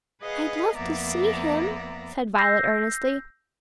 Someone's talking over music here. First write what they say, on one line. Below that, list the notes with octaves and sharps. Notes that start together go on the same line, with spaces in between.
"I'd love to see him," said Violet earnestly.
G#4 B4 D#5 F5 F#5
F2 A#3 B3 D5 E5 A#5
E6 G6 A#6 C7